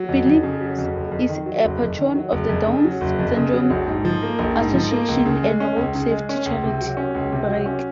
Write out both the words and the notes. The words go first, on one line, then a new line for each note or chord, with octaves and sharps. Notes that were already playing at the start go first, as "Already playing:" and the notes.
Phillips is a patron of the Down's Syndrome Association and road safety charity, Brake.
Already playing: F#3
F2
F2
C#3
F#3
F2
F#1
F2
D#3
F#3
F#1
F2
D#3
F#3
F#1
F2
C#3
F#3
F#1
F2
C#3
F#3
A#1
G#2
F3
A#3
A#1
G#2
F3
A#3
C#2
C#3
G#3
C#4
C#2
C#3
G#3
C#4
C#2
C3
F#3
C#4
C#2
C3
F#3
C#4